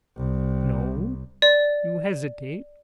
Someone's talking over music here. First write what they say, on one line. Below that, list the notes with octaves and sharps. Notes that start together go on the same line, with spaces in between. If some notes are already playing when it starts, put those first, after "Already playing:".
No? You hesitate?
C2
D5